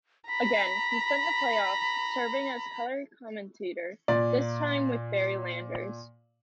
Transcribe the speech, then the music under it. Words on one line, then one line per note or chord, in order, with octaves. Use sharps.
Again, he spent the playoffs serving as color commentator, this time with Barry Landers.
A#5 B5 B6
A#2 D5